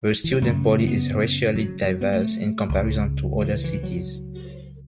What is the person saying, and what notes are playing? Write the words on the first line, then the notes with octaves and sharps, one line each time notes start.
The student body is racially diverse in comparison to other cities.
E3
F#3
F#2 C#3 A3
B3
A3
B3
F#3
F#3
B3
A3
C#2 C#3
F#3
E3
E3
F#3